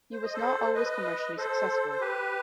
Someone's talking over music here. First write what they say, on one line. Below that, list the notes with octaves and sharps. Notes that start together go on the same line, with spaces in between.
He was not always commercially successful.
C5
D#5
A4 C5
B4 D#5
A4 C5
C5
G4 B4